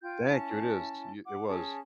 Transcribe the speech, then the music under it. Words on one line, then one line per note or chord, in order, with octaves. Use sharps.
Thank you, it is. Y it was.
F4 G5 G6
C#4 E4 A5
F#5 D6
C#4 G#4 A5